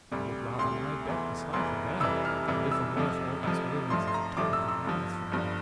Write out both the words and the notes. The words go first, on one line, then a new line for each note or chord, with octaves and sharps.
I would rather lie dead beside her there than live on Earth all those millions of terrible miles from her.
D2 C3 G3
D2 C3 G3 C6
F1 E2 E3
F1 E2 E3 C6
F1 F2 C3 E3 G3 E6
F6
F1 F2 C3 E3 G3 E6
E6
F1 F2 C3 F3
F1 F2 C3 F3
A1 G2 F3 A3 C6
C6
A#5
A1 G2 F3 A3 D6
E6
E6
G1 G2 F3
G1 G2 F3